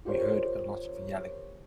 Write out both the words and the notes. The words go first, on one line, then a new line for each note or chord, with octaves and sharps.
We heard a lot of yelling.
F4 G4 A#4 C5 C#5